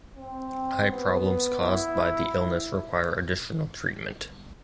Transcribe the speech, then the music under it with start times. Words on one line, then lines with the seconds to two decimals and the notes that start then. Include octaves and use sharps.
Eye problems caused by the illness require additional treatment.
0.17 C4
0.90 B3
1.62 E4